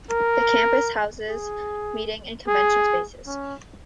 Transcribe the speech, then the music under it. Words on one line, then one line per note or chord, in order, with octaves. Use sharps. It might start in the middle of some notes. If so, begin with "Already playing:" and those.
The campus houses meeting and convention spaces.
A#4
G#4
G#4
C#4